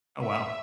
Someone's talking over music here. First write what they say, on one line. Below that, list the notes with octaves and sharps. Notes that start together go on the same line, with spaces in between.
Oh, wow.
E5